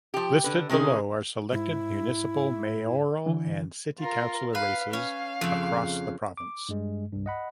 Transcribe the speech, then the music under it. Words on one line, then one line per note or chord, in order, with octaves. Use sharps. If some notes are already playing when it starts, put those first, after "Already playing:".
Listed below are selected municipal mayoral and city councillor races across the province.
F3 G4
D3 B4
C3 D#3 C4 C#4 G#4
G#2 E4
D3 E3
F4 A#4
B4 F5
C#4 F5
F2 C#3
D6
G2 G#3
C2 G2
D#5 F#5 B5